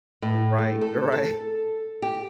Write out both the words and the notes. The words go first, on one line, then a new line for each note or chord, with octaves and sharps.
R right, right,
A2
A3
A4
A4
G4